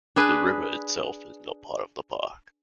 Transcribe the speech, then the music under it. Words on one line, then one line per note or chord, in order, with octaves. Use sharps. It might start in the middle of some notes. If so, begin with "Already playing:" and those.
The river itself is not part of the park.
D4 G#4 B4